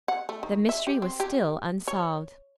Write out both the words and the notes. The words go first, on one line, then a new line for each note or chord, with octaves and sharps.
The mystery was still unsolved.
F#5
A3
D#3
E5
G4
C4
G4
C#5